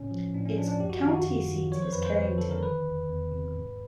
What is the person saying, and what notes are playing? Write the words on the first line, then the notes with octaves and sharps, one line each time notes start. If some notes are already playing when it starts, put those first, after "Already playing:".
Its county seat is Carrington.
Already playing: A2 C#3 C#4
F3
A2 D4
C#4
F3 D4
D4
F#2 G4
F#4
D#3 F4
F#4
F#2
D#3
F3 C#5
C5
F2 B4
C5
F2
D3 A4
A#4
D#3 B4
E2
E2
C3
G#2